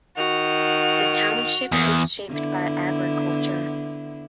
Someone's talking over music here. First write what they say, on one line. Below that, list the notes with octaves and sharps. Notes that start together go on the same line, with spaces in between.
The township is shaped by agriculture.
D#3 F#4 F7
E2 A#3 D#6
D3 B3 E4